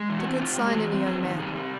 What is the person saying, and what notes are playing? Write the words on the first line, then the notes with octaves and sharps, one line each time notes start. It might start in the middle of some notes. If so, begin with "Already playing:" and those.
It's a good sign in a young man.
Already playing: G#3
E3
F#4
C4
C3 F4
G#3
G4
E3 F#4
C4
F2 G#4
D#3
C3 G#4
G3